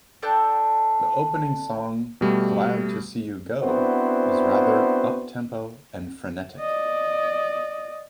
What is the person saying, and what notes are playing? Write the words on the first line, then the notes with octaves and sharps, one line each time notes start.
The opening song, "Glad to See You Go", is rather uptempo and frenetic.
D4 A4 G5 F#6
B2 G3 A3
B3 C4 D4 E4 F#4 C5
D5 D#5